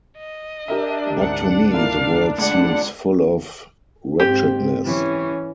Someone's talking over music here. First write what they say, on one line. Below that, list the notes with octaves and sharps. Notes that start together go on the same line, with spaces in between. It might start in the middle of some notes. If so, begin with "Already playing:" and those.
But to me the world seems full of wretchedness.
D#5
D4 G4 A#4 E5
D2 G#2 F#5
E4 F4 A#4 F5
C#2 A3 D5 F#5
G#2 C4 G4
E3 C#4